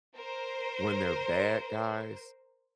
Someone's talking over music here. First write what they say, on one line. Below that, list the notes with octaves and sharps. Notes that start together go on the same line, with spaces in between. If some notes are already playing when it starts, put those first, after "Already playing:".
when they're bad guys,
A#4 C5